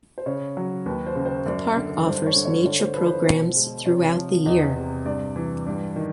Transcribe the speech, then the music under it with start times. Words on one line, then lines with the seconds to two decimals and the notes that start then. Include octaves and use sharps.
The park offers nature programs throughout the year.
0.18 C5
0.26 C#3 C#5
0.57 F#3
0.86 D#2 B4
1.07 C5
1.16 C#3
1.26 C5
1.46 F#2 D5
1.76 D3
2.06 G2 C5
2.26 C#5
2.36 D3
2.45 C#5
2.65 D3 C#5
2.79 C5
2.94 F3 B4
3.07 C5
3.25 B2 C5
3.56 G#3
3.86 C3 C#5
4.15 F3
4.46 E2 D#5
4.76 C3
5.05 G2 D5
5.36 E3
5.66 G2
5.96 D#3